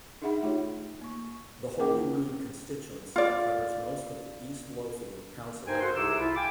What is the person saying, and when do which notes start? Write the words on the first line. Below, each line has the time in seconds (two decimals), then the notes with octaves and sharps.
The Holyrood constituency covers most of the East Lothian council area.
0.22 D4 D#4 G#4 E5 F#5 B5
0.43 A3 D#4 F4 G4 C#5
1.01 A#3 C#6
1.79 A#3 C#4 G#4 F#5 G5 D6
3.16 F4 D5
5.67 G2 D#4 A#4 C5 G5 G#5
5.81 F#4 A4 C5 F#5 C6
5.96 C2 C3 D#4 G#4 D6 E6
6.19 E4 F4
6.36 F5 G5 G#5 D6